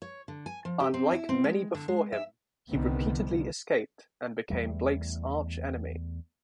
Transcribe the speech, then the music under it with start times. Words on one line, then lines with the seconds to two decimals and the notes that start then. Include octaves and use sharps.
Unlike many before him, he repeatedly escaped and became Blake's arch-enemy.
0.02 C#5
0.28 D3
0.46 G#5
0.65 F3
0.80 G4
0.94 C4
1.12 E4
1.29 C4
1.44 G#3
1.75 D3
1.88 G#3
2.12 E5
2.70 C2 D3 D#3 G3 B3 C4
4.50 E2 G3 A3